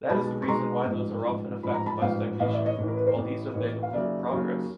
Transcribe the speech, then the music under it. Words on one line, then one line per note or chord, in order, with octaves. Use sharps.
That is the reason why those are often affected by stagnation, while these obey the rule of progress.
B1 B2 G#3 A5 B5
C#6
B1 B2 G#3 A#5 C6
A1 G#2 F3
A1 G#2 F3
A1 G#2 F3 B5
A#5
A5 B5
A1 G#2 F3 F5 G5
A1 A2 E3 D#5 F5
D5 E5
C#5 D#5
A1 A2 E3
A#4
B4
A#4 C5
A1 A2 E3
A1 A2 E3 C#5 D#5
F5
D#2 C#3 F#3 D5 E5
D#2 C#3 F#3